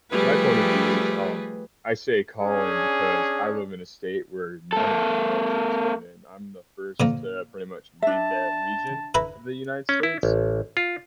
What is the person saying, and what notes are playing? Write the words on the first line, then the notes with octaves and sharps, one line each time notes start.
my point of view is, um, I say calling because I live in a state where none of my relatives live in. I'm the first to pretty much leave that region of the United States,
F3 G3 A3 G4 G#4 B4
C#4 D4 G#4
A#3 A4
A#2 F3 A#3
D4 E5 A5
E4 B4 A#5
C#4
E4
A1
F4